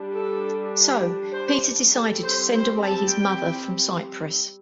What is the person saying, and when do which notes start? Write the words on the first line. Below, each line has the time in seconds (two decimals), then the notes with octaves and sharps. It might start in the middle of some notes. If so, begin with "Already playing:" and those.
So, Peter decided to send away his mother from Cyprus.
Already playing: G3 D4
0.12 A4
1.32 C5
1.93 G3 C4 A4
2.23 C5
2.53 C5
2.83 A5
3.13 G5